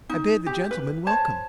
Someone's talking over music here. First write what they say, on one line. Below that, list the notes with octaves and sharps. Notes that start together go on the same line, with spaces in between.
I bade the gentlemen welcome.
D#4
G4
B4
C5 C#5 A5